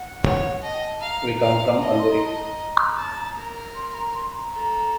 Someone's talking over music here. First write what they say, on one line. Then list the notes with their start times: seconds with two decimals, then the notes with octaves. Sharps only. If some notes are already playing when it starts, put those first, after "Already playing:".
We come from Alberic.
Already playing: F#5
0.24 C#5
0.62 D#5 A5
0.75 F#5
0.82 A5
1.01 F5 A#5
1.21 A#5
1.40 F5 A#5
1.60 A#5
1.79 D#5 A5
1.99 C6
2.12 A#5
2.25 A5
2.37 A#5
2.96 A5
3.36 A#4
3.75 C6
3.95 A#5
4.14 C6
4.33 A#5
4.53 A4 A#5